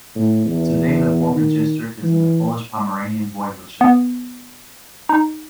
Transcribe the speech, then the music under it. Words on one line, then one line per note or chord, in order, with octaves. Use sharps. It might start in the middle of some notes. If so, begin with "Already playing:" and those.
Today the former district is in the Polish Pomeranian Voivodeship.
A2
E2
D#3
E3
B3
D#4